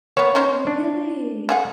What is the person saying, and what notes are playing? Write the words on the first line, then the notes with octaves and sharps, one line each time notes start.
Oh, really?
A#3 B3 C#5
C#4 D#4 C5
D4
D3 G#4 F#5